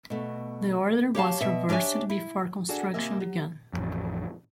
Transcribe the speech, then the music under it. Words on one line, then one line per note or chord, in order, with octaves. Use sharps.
The order was reversed before construction began.
B2 A3
G4 C#5 F5 A5
B2 E5
D4 G4 C#5 E5 G#5
E4
D4 F#4 G#4 A4
D#2 C3 A#3 D#5 E5 G#5
F#3
A1 F2